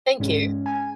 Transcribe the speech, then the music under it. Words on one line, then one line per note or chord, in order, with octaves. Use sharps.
Thank you.
G#2 G#3 C#4
G#5